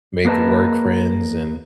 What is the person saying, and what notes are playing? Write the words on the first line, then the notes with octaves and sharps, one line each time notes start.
make work friends, and
A#3 G#4 A#4 B4 D#5 A5